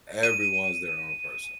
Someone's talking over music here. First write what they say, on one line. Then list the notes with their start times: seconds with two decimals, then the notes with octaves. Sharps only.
Everyone's their own person.
0.23 D#7